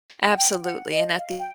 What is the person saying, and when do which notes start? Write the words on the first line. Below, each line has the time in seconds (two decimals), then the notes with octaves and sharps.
Absolutely, and at the
0.32 F#5
0.37 G5
0.64 F#5
0.91 D#5
1.18 F5
1.39 G5